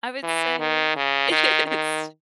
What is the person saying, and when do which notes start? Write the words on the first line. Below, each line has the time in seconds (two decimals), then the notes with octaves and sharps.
I would say it is
0.23 E3
0.59 D#3
0.96 C#3
1.31 D#3
1.67 D#3